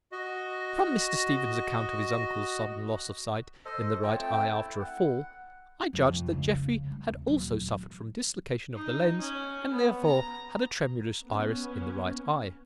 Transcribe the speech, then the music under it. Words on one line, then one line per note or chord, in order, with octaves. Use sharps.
But from Mr. Stephen's account of his uncle's sudden loss of sight in the right eye after a fall, I judged that Jeffrey had also suffered from dislocation of the lens and therefore had a tremulous iris in the right eye.
F#4 D#5
A4 C5 D#5
F4 C#5 G5 A5
A3 C4 G5 A5
E4
F#5
C2 F2
C#2 C#3
G3
E2
D#1 F#3
E3
D#4
C#4
B3
A#5
B3 C#4